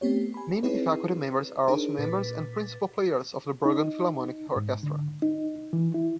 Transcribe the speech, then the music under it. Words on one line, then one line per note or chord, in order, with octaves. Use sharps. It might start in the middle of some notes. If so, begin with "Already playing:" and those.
Many faculty members are also members and principal players of the Bergen Philharmonic Orchestra.
A3 B3 C4 G4 C#5
G#5 B5
C4 D#4 E4 G#4 B4 C#5
D4 D#4 G#4 A#4 C5 C#5
A#2 B4 D6 A6 B6
D#4
G#2
D3
D#4
E3
E4